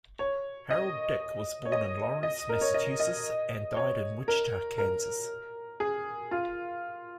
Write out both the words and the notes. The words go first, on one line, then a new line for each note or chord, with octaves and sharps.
Harold Dick was born in Lawrence, Massachusetts and died in Wichita, Kansas.
C#5
D#5
C#5
D#5
D#5
A#4
C#5
D#5
D#5
C#5
A#4
A#4
G#4
F4